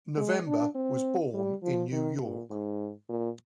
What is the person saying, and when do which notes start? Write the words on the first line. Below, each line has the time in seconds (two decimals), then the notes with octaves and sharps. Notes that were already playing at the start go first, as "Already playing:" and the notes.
November was born in New York.
0.17 G#3
0.47 D4
0.75 C4
1.34 G3
1.63 F3
1.92 D#3
2.22 A#2
2.50 G#2
3.09 A#2